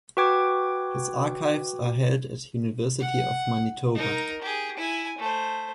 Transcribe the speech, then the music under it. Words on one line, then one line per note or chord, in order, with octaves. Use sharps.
His archives are held at University of Manitoba.
F#4 B4 G5 D6 G#6
F#5
D#4 A#4
G4 G#4
E4 G#5
A3 C5